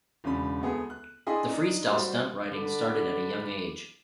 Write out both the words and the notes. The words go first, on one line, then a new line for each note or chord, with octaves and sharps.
The Freestyle stunt riding started at a young age.
E1 C#3 D4 B5
D2 A3 B3 G#4
F#6
D4 E4 G#4 D#5 G#5 C6
D4 D#4
G3 F#4 C5
D3 D4 B5 D6